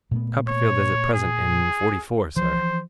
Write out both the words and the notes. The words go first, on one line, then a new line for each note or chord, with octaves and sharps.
Copperfield is at present in forty-four, sir.'
A#2 A3 B3
C#5
G#4
E3 F3 C5